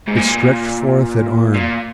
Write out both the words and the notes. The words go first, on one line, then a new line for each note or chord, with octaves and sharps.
It stretched forth an arm.
G#2
A#2
A#2